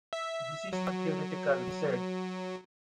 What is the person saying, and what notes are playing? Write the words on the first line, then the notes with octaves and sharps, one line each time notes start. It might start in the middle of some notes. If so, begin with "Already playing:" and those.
"This is not theoretical", he said.
E5
F#3